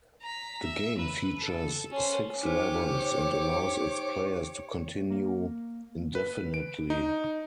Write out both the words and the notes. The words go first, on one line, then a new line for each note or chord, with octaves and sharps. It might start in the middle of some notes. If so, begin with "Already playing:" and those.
The game features six levels and allows its players to continue indefinitely.
A#5 B6
E5
B4
A4
C#4 C5
D#4 G4 C5 C#5 D6
A#3
B4
D7
D#4